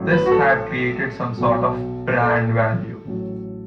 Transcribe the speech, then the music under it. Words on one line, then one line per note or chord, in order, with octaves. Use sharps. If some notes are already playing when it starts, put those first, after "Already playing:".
This had created some sort of brand value.
Already playing: A1 A2 F#3
B4
F#4
A4
B1 B2 F#3
A4
A1 A2 F#3